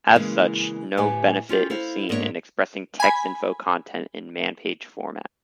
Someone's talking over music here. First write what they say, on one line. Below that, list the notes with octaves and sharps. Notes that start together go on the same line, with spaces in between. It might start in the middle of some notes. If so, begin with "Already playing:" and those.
As such, no benefit is seen in expressing Texinfo content in man page format.
C#3 E3 G#3 A#3
D2 A2 G4 B4 E5 G#5
C#4 F4 G4
E4 A4 C5 F5
G#2 A#3 D4 D#4 C#5 E5
G#5 B5